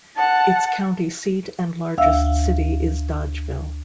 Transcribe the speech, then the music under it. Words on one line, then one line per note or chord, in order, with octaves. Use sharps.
Its county seat and largest city is Dodgeville.
F#5 A5
D2 E5 F5 E6